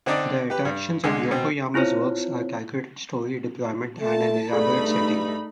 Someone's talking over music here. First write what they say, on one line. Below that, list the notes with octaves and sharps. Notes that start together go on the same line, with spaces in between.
The attractions of Yokoyama's works are calculated story deployment and an elaborate setting.
D3 C4 D4 D#4 D5
G4 B4
G2
C2 D3 G#3
B2 C4
C4 E4 F4 C5 C#5
A3 A5
G2 A3 D#4 G#4 A4 D5 B5